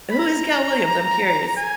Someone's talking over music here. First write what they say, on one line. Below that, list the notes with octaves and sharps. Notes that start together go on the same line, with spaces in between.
who is Cal Williams, I'm curious?
B5
A#5
G#5